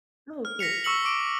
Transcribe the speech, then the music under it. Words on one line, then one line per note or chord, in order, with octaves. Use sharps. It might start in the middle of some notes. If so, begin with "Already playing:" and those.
Oh, cool.
F6
A#6 B6 C#7 F7
C#6 E6 C#7 F#7
D6 D7